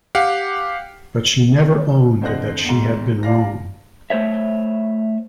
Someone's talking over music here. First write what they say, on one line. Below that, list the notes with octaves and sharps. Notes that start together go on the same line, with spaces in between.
But she never owned that she had been wrong.
G4 F5 F#5
F2 D3 C5 D#5 F#6 A#6
E2 G#2
D5 F5 A#6
A3 C5 C#5 E5